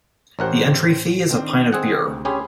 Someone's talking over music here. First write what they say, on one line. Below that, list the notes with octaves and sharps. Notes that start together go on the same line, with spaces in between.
The entry fee is a pint of beer.
A1 G4 A#4 C5 C#5 F#5
D#3 C4 D4
D#3 C4 G#4 F#5
D2 C3
C#4 G4 G#4 B5 C6 G#6